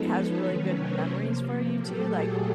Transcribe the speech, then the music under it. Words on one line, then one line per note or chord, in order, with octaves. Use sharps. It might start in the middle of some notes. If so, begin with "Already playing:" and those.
has really good memories for you too, like,
Already playing: F3 G#3 B3 D#4 A4 B4
B4 C#5
C3 D#3 F#3 A3 C#4
A#4 C5
C3 F3 A#3
A#2 F#3 A3 G4 A4
F#4 G#4